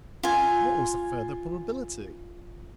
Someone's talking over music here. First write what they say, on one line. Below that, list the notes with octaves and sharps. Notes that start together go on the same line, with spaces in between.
What was the further probability?
F4 G#5